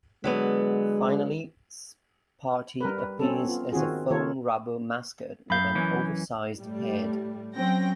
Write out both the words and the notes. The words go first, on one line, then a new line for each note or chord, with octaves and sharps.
Finally, Sparty appears as a foam rubber mascot with an oversized head.
D3 F#3 G#3 B3
G3 A#4 B4
B4
C4 C#4 A4
B3 F4
D#3 C4 F4 F#4 G#4
D#3 A#3 F4 A4 C#5
F#2 F5 B5 G6
F#2 E3 C#4
A2 G3
F#3 C4 C#4 G5 A#6